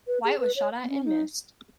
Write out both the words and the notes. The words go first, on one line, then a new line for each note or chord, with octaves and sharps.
Wyatt was shot at and missed.
B4
G#4
B4
C#5
B3
C#4
D#4